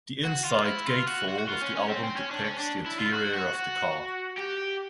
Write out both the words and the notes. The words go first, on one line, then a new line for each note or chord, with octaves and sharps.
The inside gatefold of the album depicts the interior of the car.
F#4
F4
E4
F4
F#4
F#4
F#4
F4
C#4
C#4
C4
C4
C#4
D4
C#4
D4
E4
F4
F#4
F#4
F#4
G4